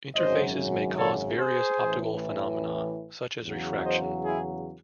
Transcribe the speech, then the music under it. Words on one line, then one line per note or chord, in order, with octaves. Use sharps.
Interfaces may cause various optical phenomena, such as refraction.
G#1 F#2 C#3 F#3 C5 D#5
A4 C#5
G#4 C5
A1 A2 E3
E2 C#3 F#3
C5 D#5
E4 G#4